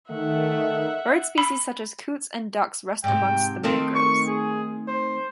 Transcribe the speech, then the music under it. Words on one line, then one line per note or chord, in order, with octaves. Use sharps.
Bird species such as Coots and ducks rest amongst the mangroves.
D#3 A3 E5 F#5
B5
G#2 C3 G5
D#3 A3 C4 A4
C#6
G#4
C5